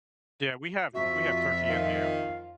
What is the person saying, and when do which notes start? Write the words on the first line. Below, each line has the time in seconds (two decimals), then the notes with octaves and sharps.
Yeah. We have we have turkey and ham.
0.94 F2 F4 F#4 E5
1.69 D#3 F5